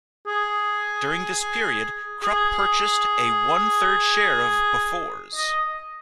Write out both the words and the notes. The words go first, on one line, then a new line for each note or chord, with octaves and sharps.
During this period Krupp purchased a one-third share of Bofors.
G#4
G#4
D#5